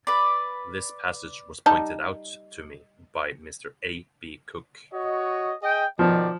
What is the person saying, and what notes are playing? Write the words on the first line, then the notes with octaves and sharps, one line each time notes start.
This passage was pointed out to me by Mr. A. B. Cook.
B4 D5
G3 D#4 A5
F#4 C#5 D#5
G#4 D#5 G5
B2 D#3 F3 D5